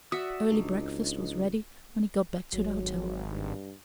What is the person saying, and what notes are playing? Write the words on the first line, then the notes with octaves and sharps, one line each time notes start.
Early breakfast was ready when he got back to the hotel.
F#4 D5 E5 F#5 D#6
C#2 D4 D#4
G#1 F#3
G2